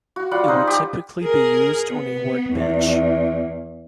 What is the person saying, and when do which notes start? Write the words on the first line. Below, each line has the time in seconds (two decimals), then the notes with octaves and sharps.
It would typically be used on a workbench.
0.16 F#4
0.31 G3 F4 F#5
0.48 D#4 C5
0.67 G4
1.22 G#4 A#4
1.90 B3
2.53 E2